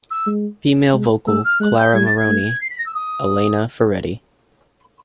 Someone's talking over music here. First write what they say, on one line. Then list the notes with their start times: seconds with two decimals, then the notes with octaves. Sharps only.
Female Vocal: Clara Moroni, Elena Ferretti.
0.10 E6
0.26 G#3
0.93 G#3
1.27 A3 E6
1.44 F6
1.60 G#3 F#6
1.77 G6
1.94 G3 G#6
2.05 A6
2.16 G#6
2.27 A3
2.61 C7
2.69 B6
2.78 A#6
2.86 E6
2.94 D#6